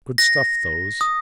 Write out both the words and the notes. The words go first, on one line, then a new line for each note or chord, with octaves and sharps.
"Good stuff, those."
A#6
D#6